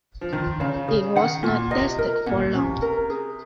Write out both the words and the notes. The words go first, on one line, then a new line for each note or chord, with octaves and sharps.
It was not tested for long.
F3
D#3 F4
C#3 F5
C#3 G#4
D#3 F#5
A#2 F4
C3 D#5
A#4
A#2 F#5
C3 C#4
A#4
G#4